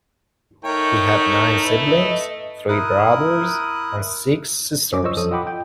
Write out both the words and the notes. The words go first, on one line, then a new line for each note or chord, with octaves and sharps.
He had nine siblings- three brothers and six sisters.
A3 D#4 A#4 C#5 G5
E4 B4 D#5
E4 A#4 D#6 F#6
F#2 F#3 C#4 D6
F4 C5 C#5 D#5 C#6 E6
F2 F3 A4 D#6
F4 D#5 F#5 G5 B5 D6
G5